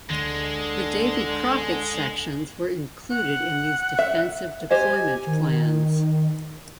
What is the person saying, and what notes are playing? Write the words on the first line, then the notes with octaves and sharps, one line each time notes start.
The Davy Crockett sections were included in these defensive deployment plans.
D2 D3 G#3
F#5
E5
G4 C5 D#5 G#5
D#3